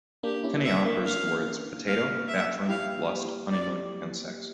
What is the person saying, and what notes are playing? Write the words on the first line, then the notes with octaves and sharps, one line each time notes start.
Penny offers the words potato, bathroom, lust, honeymoon, and sex.
A#3 D4 G4
C#4 E4
E5
A#3
A#3 F5
F5
E5
E4 G4 F5
D5